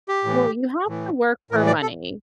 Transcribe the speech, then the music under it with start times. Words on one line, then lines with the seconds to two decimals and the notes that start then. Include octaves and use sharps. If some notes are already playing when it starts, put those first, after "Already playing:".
Well, you have to work for money,
0.09 G4
0.24 A2 E3
0.88 A2 E3
1.51 A2 A#4
1.54 E3
1.67 D5
1.82 A4